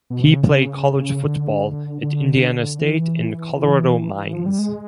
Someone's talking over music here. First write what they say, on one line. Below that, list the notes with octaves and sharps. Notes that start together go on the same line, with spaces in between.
He played college football at Indiana State and Colorado Mines.
B2
C3
C#3
D3
D3
E3
E3
F3
G3
G#3